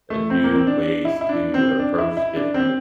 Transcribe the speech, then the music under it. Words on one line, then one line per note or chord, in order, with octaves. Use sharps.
uh, new ways to approach different
A3
C4
A#3
C4
D4
E4
E4
D4
C4
D4
E4
E4
D4
C4